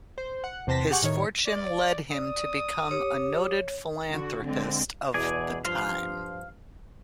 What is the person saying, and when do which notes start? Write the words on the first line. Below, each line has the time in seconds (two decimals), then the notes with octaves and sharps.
His fortune led him to become a noted philanthropist of the time.
0.18 C5
0.44 F#5
0.67 E2 C3 C5 A5 A#6 B6
0.90 G4 G#4 F#5 C#6 D6
1.02 A2 D#3 C#5
1.46 D5
2.12 D5 D#6
2.91 G4 C#5
4.12 D3 F#4
4.45 D3 G#3 C4
5.14 E2 B2 G#4 D5 G#5
5.65 G2 F3 F5 C6